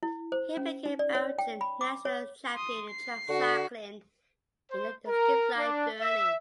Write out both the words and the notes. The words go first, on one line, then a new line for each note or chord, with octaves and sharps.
He became Belgian national champion in track cycling in the discipline derny.
E4
C5
C#4
D#4
D5
C#5
G5
B5
D6
C#5
C6 D#6
C7
D3 F#4
C5
A#4
D4
E5